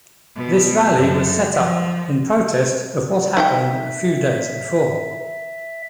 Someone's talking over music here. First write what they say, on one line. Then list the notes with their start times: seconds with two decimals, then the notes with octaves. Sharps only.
This rally was set up in protest of what happened a few days before.
0.35 B2
0.97 F#2
1.53 F3
3.37 D#4 D#5 E5 G5